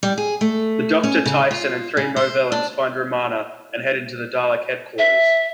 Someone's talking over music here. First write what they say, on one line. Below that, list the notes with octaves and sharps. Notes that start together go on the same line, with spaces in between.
The Doctor, Tyssan and three Movellans find Romana and head into the Dalek headquarters.
G3
G#4
A3
C#4
C#3
F4
C#3
C5
D4
E5